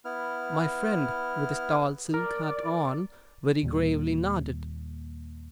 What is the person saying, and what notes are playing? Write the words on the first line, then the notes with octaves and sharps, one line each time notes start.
My friend, with his tall silk hat on, very gravely nodded.
B3 E4 F6
A#4 D5
D#2 A#2 G3